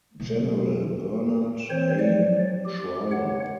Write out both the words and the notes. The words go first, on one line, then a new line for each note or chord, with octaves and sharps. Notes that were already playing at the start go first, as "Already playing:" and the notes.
General Bernard A. Schriever.
B2 F#3
E3 C4 C5 C#5
F3 F#3 D5
G4
C#5 F#5